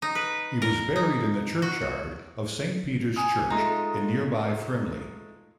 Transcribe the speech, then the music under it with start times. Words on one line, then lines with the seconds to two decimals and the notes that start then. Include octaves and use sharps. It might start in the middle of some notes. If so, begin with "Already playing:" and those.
He was buried in the churchyard of Saint Peter's Church in nearby Frimley.
0.02 D#4
0.15 B4
0.62 A#4
0.96 D#4
1.62 F#4
3.16 G#5 D#6
3.50 G#3 A3 D#4 F4